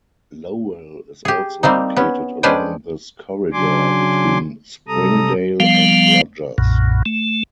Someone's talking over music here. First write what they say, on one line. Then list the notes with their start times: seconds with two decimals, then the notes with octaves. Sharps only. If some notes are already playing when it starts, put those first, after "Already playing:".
Lowell is also located along this corridor, between Springdale and Rogers.
1.25 G4 G#4
1.63 G3 A#3 C4 D#4
1.96 B3 C#4
2.43 G#3 C#4 D4 B4 C5 G5
3.53 C#3 F#3 D4 G#5 C6 D6
4.88 C3 G3 A4 A#5 D#6
5.60 F3 G3 B3 F5
6.58 B1 F#2 A#2
7.06 A3